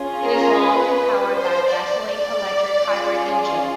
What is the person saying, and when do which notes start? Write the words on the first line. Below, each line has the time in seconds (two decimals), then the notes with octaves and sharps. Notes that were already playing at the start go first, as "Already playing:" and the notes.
It is long and powered by a gasoline-electric hybrid engine.
Already playing: C#4 F4 G#4
0.23 A#4
0.60 B4
1.35 C5
1.73 D5
2.85 C#4 F4 G#4